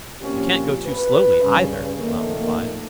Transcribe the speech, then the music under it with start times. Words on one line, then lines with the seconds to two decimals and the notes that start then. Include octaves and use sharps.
"We can't go too slowly, either," Blount replied.
0.21 A#2 F3 A#3 C4 C#4 G4
0.86 B4
1.43 G2 C#3 C#4
1.99 F2 A#2 D#3 A3 A#3